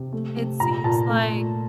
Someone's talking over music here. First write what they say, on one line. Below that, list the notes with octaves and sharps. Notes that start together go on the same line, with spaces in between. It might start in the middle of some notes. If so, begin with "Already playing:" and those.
it seems like
Already playing: C3
A3
C3
A#2 A#5
A#2 A5
A3
A#2